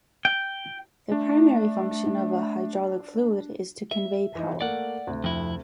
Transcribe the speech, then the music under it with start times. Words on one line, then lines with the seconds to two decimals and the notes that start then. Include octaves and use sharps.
The primary function of a hydraulic fluid is to convey power.
0.25 G5
1.12 A3 D4
3.91 E5
4.35 E3 D#4
4.61 A3 A#3 D5 F#5
5.07 D2 C3
5.24 F2 E4